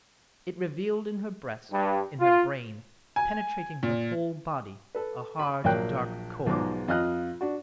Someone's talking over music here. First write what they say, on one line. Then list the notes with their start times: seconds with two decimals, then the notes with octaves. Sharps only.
It revealed in her breast, in her brain--penetrating her whole body--a hard, dark core.
1.71 G2
2.20 F4
3.16 G#5
3.83 A#2
4.95 A4 B4
5.40 B5
5.64 A#1 F#3 A#3 G5 F#6
6.46 B1 G#2 F3 G#3 D6
6.88 F2 F4 D#5 F6 F#6
7.41 D4 F#4